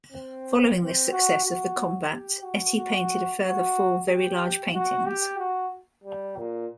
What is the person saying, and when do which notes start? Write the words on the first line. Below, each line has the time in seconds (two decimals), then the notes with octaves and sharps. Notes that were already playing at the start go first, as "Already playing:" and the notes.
Following the success of "The Combat", Etty painted a further four very large paintings.
0.12 C4
0.78 C4
1.11 F#4
1.45 F#4
2.10 G4
2.43 F#4
2.76 F#4
3.42 F#4
4.08 G4
4.73 F#4
5.06 G4
5.39 F#4
6.04 G3
6.37 A#2